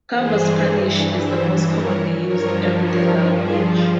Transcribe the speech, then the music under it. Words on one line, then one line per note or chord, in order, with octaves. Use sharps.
Camba Spanish is the most commonly used everyday language.
G2 E3 G#4 C5
C5 E5
A#4 C#5
G2 F3 A#4 C#5
A#4 C#5
G#4 C5